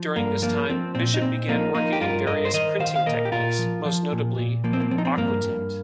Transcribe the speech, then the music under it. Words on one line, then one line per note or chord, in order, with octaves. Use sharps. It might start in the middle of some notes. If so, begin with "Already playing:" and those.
During this time, Bishop began working in various printing techniques, most notably aquatint.
Already playing: F3
G2 A#3
F3 A#3
F3 C4
A#2 C4
D#4
A#2 C4
F3 A#3 D#4
F3 A#3 D#4
G4
G2 F4 A#4
G2 A#4 D#5
C5
D#3 A#4 D#5
D#3 C5 F5
F5
A#2 A#4 D#5
G4
A#2 F4 A#4
F3
F3
A#2
A#2
F3 A#3
C4
A#3
F3 C4
D#4
C4
G2 A#3
G2